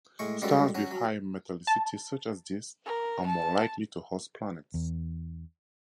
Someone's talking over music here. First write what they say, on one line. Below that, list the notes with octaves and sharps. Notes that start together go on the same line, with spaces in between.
Stars with higher metallicity such as this are more likely to host planets.
A2 G#3 C#6
G3 G#3 C#4 F4 F#4 A4
F#3 C#4 F#4
F#3
A5
A#4
A5
E2